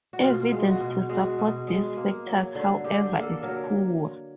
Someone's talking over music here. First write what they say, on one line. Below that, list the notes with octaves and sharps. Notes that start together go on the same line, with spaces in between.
Evidence to support these factors however is poor.
F#4
B2 F4
G#3
F#4
B2
G#3 F#4
B2
G#3
A#3
F#3
D3
D3 G4
A#3 A4
F#3 A#4